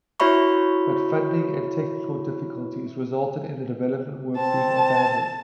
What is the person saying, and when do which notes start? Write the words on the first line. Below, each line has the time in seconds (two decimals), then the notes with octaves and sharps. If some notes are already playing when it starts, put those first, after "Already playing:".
But funding and technical difficulties resulted in the development work being abandoned.
0.20 E4 F#4 C#5 E5 B5 C#6
4.37 C4 A5